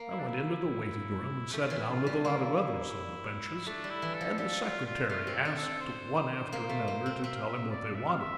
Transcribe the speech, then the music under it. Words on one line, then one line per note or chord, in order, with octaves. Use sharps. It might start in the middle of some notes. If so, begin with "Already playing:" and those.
I went into the waiting-room and sat down with a lot of others on the benches, and the secretary asked one after another to tell him what they wanted.
Already playing: A#3
E4
D4
E4
A3 G4
E3 F4
E4
F4
G3
A#3 E4
F4
E4
A3 D4
G3
E4
E3
A4
F3
G3 A4
F4
F4
A3 F4
C4
A4
D4
A4
C4
C5
A#3
A3
A#3
C4
C4 E5
F5
E5
D5
E5
F5
E5